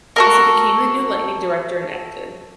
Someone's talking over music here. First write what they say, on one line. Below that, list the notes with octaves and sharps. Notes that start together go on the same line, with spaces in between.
As he became the new lightning director and acted.
F#4 A4 A#4